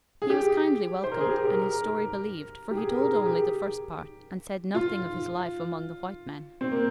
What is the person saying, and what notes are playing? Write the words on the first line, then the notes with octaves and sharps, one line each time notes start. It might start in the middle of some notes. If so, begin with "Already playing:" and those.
He was kindly welcomed, and his story believed; for he told only the first part, and said nothing of his life among the white men.
G#4
G4
C5
A#4
G#4
G4
A#4
A#4
G4
G#4
A#4
A#4
G#4
G4
F4
C4
A#3